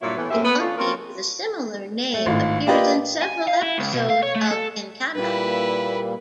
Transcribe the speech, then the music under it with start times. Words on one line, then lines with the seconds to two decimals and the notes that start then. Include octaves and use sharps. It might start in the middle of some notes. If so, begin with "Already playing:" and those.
A monkey with a similar name appears in several episodes of "Gintama'".
0.02 G2 A#2 F#3 A#3 E4
0.17 A2 E3 B3
0.31 F#2 A2 C4 G4 G#4 E5
0.44 B3 B4
0.60 E3 A3 C#4 D4 F4
0.78 A#3 C4 C#4 F4 A#4
2.14 A3
2.26 G#1 A2 F4
2.67 A#3 F4 G4 B4 D5 D#5
3.23 G#5
3.48 F5
3.63 E4
3.78 C#2
3.94 B2
4.09 F5
4.23 C#5
4.35 A3
4.51 A4
5.15 A#2 G3 A#3 E4 B4